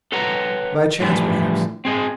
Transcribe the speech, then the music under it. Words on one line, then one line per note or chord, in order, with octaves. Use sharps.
'By chance, perhaps.
A4 B4 C#5 F#5 A#5
A2 D3 E3 F3 G3
C4 G#4 D#5